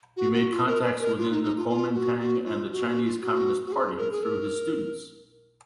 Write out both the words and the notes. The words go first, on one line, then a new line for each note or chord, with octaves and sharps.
He made contacts within the Kuomintang and the Chinese Communist Party through his students.
F#4
F#4
F4
A#4
B4
A#4
F4
D#4
D#4
F4
F4
F#4
F#4
F4
F#4
F#4
F4
F#4
F#4
G#4
A#4
G#4
A#4